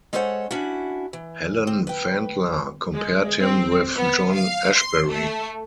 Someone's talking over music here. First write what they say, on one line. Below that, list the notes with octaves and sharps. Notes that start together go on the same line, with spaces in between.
Helen Vendler compared him with John Ashbery.
G#3 C#4 A4 C5 C#5 F#5
C#4 D4 E4 F#4
E3
C4
B4 G5
G#3
C4
B3
F5
C6
A3